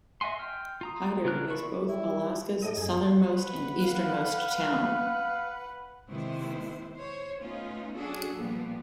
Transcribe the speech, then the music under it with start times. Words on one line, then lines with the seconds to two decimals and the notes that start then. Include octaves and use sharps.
Hyder is both Alaska's southernmost and easternmost town.
0.21 D#5 E5 F#5 G#5 C6
0.39 G5 F6
0.81 F4 A#5 D#6
1.24 C#3 B3 D4 A#4 F#6
1.48 E4 F4 D5 B5 C#6
1.89 G3 E4
2.62 A2 A3 D#5
2.77 F#2 D#4 G#4
3.24 B4 F#5
3.83 F5
6.08 C3 D#3 G#3 B3 E4 C5
6.95 C5 C#5
7.41 A3 B3 C#4 D#4 F4
7.95 F#3 C#4 D4 F#4 G#4 A4
8.35 A#2 F3 G3 A#3 B3